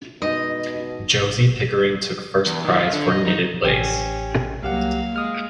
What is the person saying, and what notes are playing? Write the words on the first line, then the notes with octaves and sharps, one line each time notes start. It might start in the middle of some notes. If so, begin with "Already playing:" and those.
Josie Pickering took first prize for knitted lace.
B2 G#3 D#4 D#5
E2
D#3 F3
F3 F4
D3
D#5
D#4
A1 C#4 G4 G5
C2 F#3 A#3 G4 F5 F#5
G#3 D#6 F6